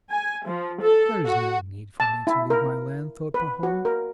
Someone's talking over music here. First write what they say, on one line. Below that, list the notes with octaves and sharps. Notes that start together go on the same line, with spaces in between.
"There's no need for me to leave my land," thought Pahom.
G#5
F3
A4
F#4
A5
E4
A#4
B4
F#4
A#4